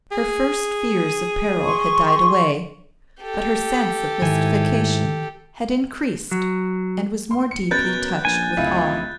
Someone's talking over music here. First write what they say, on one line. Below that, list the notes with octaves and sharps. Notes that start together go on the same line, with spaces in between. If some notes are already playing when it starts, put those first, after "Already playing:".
Her first fears of peril had died away, but her sense of mystification had increased and was more deeply touched with awe.
G#4
C6 C#6
G4 A4
G#2 D#3 E4 G#5
F#3
C6
C#7
B2 C#4 A#4 B4 F#6 G6 A6
A#1 G#5
D1 C#2 E4 F4